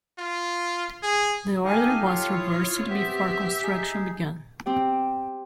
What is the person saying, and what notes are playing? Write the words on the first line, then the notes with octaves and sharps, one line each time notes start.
The order was reversed before construction began.
F4
G#4
D#4 G4 A4 F5 G#5
F4 C#5
E4 D#6
B3 C4 G4 E5
D#4 G#4
C4 G4 G5